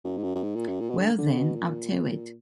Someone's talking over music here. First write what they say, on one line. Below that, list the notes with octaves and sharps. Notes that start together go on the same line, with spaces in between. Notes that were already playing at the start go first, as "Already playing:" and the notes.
Well then, I’ll tell it.
F#2
G#2
F#2
F#2
G#2
A#2
F#2
A#2
B2
D3
D3
B2
A#2